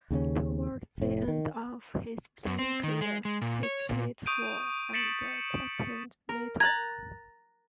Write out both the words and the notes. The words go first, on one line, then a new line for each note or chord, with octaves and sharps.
Toward the end of his playing career, he played for and captained Natal.
D#2 C#3 G3 C#4
F1 A2
D#3
F#2
C4
D#3
G#3
G#3
A#2
C#5
A#2
C#6 D#6 G6 D7 D#7
A6 B6 C#7 D7 E7 F#7
A#4
A#5 F#6 G#6 A6